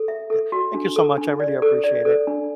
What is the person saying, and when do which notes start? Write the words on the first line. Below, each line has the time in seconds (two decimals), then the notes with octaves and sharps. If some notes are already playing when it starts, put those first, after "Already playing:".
Yeah. Thank you so much, I really appreciate it.
Already playing: A4
0.08 E5
0.30 A4
0.52 F#4
0.74 D4
0.96 A4
1.18 D4
1.40 D5
1.62 A4
1.84 D5
2.05 A4
2.27 D4